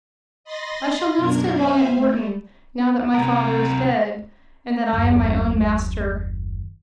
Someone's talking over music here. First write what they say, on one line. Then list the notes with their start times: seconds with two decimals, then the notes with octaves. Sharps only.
I shall not stay long at Morton, now that my father is dead, and that I am my own master.
0.44 D#5 B5 C6 A6 A#6
1.17 F#2 B2 D4 A#4 G#6
1.54 C5 E5 F5 G#5 B5
1.93 A3
3.14 C3 A#4
4.93 F#1 D#2